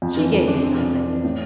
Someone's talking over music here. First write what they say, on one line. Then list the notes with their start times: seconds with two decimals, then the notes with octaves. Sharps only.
She gave me something.'
0.02 F2
0.17 E3
0.32 F2
0.48 D4
0.62 C4
0.78 F2
0.94 C4
1.08 E3
1.24 A2